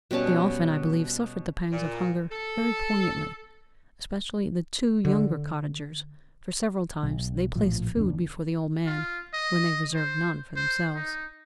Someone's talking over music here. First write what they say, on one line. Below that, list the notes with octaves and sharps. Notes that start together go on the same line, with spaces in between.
They often, I believe, suffered the pangs of hunger very poignantly, especially the two younger cottagers, for several times they placed food before the old man when they reserved none for themselves.
B2 G3 C#4 A5
A#2
A4
D3
B1
A#1 A2 F3
F1 D#2 C#4 D4
F4
D#5
C5
C5
D#4